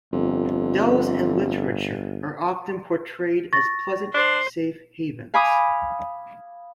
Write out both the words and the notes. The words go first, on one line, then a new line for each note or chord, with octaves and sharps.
Dells in literature are often portrayed as pleasant safe havens.
G1 F2
C#6 A6 A#6
D4 C5
F5 G#5 B5 D6 D#6